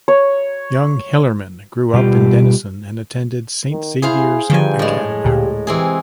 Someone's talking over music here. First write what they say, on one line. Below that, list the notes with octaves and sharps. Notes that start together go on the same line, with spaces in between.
Young Hillerman grew up in Denison and attended Saint Xavier's Academy.
C#5
B2 G3 F4 G4
D#3
E4 G#4 C5 F5
G2 D3 D#3 F3 G5 G#5
A2 G#3
D2 A#2 G4
C3 E3 C4 G#4